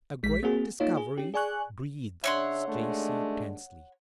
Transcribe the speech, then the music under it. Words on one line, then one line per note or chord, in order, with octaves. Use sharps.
"A great discovery," breathed Stacy tensely.
A#1 G#3 B6
A#3 C4 F#4 G#4
A#3 D#4 F4 C#5
G#4
C#4 G4
G#4 D5 G#5 C#6 F#6
C#3 D4 C#5 E5 F#5 C6
D#2 G#3 A3 D4